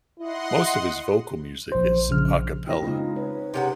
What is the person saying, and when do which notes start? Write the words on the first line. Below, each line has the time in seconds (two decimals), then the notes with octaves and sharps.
Most of his vocal music is "a cappella".
0.19 E4 D#5 F#5 C6
1.72 A#1 C5
2.09 A#1 C#3 F6
2.67 E3 C4 G5 A#6
2.82 C#3 G#3 D#4 F4
3.16 C4 B4 C#5
3.54 C3 C#4 G4 G#4 A#4 F#5